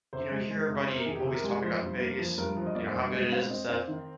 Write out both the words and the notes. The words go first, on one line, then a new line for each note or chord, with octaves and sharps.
you know, you hear everybody always talking about New Vegas and, you know, how good it is and stuff.
C3 C5
G#3
G#3
C3
C3 C5
A#4
D#3 G#4
G4
C3 G#4
A#4
G#3 G4
G#4
F3 C5
G2
A#3
F3
G2 A#4
F3
D#5
A#3 D5
C5
G2 D5
G#3 D#5
C4 F5
C4 D#5
C4 F5
D#3